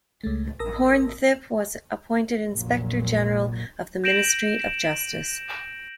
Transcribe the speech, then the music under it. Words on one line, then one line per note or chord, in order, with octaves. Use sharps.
Pornthip was appointed Inspector General of the Ministry of Justice.
C#2 G#3 A3
A1 A#4 A5 D#6 E6 A#6
F1 A#1 A#2 F#3
G6 A#6 D7 E7 F#7